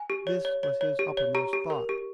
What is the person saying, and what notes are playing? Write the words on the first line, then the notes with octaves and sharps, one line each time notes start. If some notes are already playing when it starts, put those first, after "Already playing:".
This was his uppermost thought.
Already playing: G#5
G4
C#5
C#5
C#5
C#5
G4
C#5
G4 A#5
G4
A#4
G4